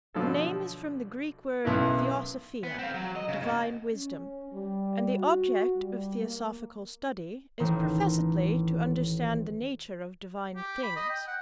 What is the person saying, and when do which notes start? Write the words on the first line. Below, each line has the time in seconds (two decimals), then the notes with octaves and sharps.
The name is from the Greek word theosophia--divine wisdom--and the object of theosophical study is professedly to understand the nature of divine things.
0.14 B2 D3 F3 F#3 A4
1.65 B1 F#2 B3 E4
2.63 B3
2.79 C4 F5
2.94 F#3
3.16 D#5
3.28 C#3
3.41 G#2 B2
3.92 C#4
4.52 G3
5.14 F#4
5.76 G3
6.17 A#3
7.60 A1 D#3
10.56 G4
10.83 B5
10.96 D#5
11.10 G5
11.27 F#5